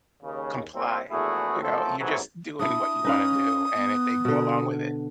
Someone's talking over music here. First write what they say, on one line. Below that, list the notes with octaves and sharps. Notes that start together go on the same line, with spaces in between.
comply, you know, you're just doing what you want to do, and if they go along with it,
D#2 C#3
C2 A#2 A#3 C4
A#1 E2 A3 E4 F#4 G#4
F#2 F3 A3 C4 A4
G#2 C3 F#3 A3 B3 C#4
D4 E4 D#6
C#4 D#4 B4 F5
B3
B2 D3